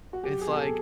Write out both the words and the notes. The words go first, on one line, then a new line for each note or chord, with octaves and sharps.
it's like,
F#4
F#3 G4
G#4
B2
A4